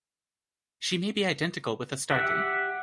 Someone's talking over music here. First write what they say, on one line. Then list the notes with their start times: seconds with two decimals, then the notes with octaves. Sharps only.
She may be identical with Astarte.
2.11 G4 E5 F#5